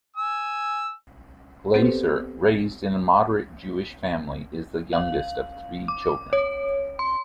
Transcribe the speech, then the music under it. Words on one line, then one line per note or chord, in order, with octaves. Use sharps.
Glaser, raised in a moderate Jewish family, is the youngest of three children.
G#5 E6
B3 C4 G4 A4 B4 C5
F5
D6
C#5
C6